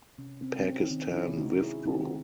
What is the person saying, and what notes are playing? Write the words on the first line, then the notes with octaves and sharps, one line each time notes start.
Pakistan withdrew.
C3 C#4
C4
G#3
C4
C#4
D#3 C4 D#4
C#4 E4
C3
D#4 F#4
G#3 E4 G#4
C4 D#4
D#3